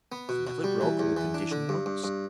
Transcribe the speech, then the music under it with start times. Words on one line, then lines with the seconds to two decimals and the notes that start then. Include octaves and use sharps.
I have never broken the condition once.
0.12 B3
0.29 B2
0.47 B2
0.64 G3
0.81 E3
0.99 E2
1.17 E3
1.34 D4
1.52 D3
1.69 G2
1.86 G2
2.04 G2